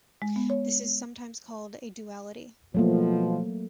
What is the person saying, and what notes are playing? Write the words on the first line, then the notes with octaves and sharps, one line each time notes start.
This is sometimes called a duality.
G#3
B3
C#5
B2 F3 F#3 A3 A#3